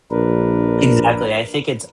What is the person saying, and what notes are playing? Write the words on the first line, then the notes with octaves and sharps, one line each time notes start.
Exactly, I think it's
A#1 D4 A#4 B4